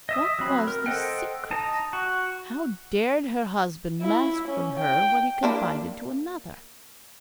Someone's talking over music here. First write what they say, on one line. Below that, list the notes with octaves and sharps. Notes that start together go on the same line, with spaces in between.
What was this secret? How dared her husband mask from her what he confided to another?
D#5 E5 D#6
F#3 C4 B5
A#4
A4 C5 D#5 F#5 G5
D#4 A5 A#5
F#4
E4
C#4
G5
A#3 D4 E4